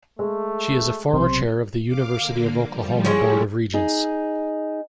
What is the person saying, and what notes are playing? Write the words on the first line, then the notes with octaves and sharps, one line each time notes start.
She is a former chair of the University of Oklahoma Board of Regents.
G#3 A3
B1 C3 C5
F5 D6
D3 A#3
F3 G3
G3 G#3 C#4 E4 C#5
D#4 G#4